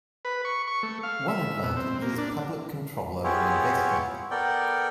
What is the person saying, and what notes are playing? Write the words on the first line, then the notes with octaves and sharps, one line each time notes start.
One advantage is public control over investment.
B4
C#6
C#6
A3
F5
E5
B2
C4
A#3
D4
B3 E4 F4 G4 G#4 C#5
B3 A4 A#4 D5 G5